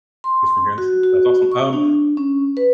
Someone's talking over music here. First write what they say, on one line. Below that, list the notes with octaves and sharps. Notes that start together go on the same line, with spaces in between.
He's from here in the states. That's awesome. Um,
C6
F#4
F#4
C#6
D4
C#4
B4